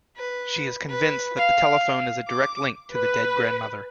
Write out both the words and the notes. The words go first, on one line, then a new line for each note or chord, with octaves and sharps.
She is convinced that the telephone is a direct link to the dead grandmother.
B4
B4
F5
D6
B4